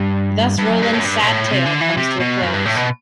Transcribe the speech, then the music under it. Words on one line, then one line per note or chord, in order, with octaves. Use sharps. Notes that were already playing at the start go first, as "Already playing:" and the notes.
Thus Roland's sad tale comes to a close.
Already playing: G2
G2
F#2
G2
A2
F#2
G2
B2
A2
C3
D3
E3
C3
B2
F#2
G2
A2
B2